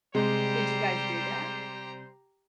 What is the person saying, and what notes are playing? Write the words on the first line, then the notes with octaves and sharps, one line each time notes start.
Did you guys do that?
C3 G3 G#3 G4 C5 A#5